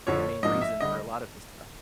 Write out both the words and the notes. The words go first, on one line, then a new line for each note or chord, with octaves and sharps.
the main reason for a lot of this stuff.
F2 D3 F3 C#5
G#2 F3 A#3 D4 D#5
E5
D3 G3 D#5